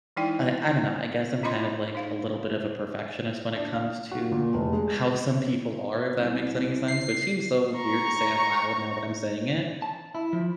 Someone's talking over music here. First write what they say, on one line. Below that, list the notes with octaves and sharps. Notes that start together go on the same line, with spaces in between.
I I don't know. I guess I'm kind of, like, a little bit of a perfectionist when it comes to how some people are, if that makes any sense. But seems so weird to say out loud now that I'm saying it.
E3 G#3 D#4 E4 D5 G5
C#4 F4 D#5 B5 C6
D#4 F5
D4
F5
F#4
A#2
F1
G#3
C2
C7
A#5 C#6
A5
E4
F3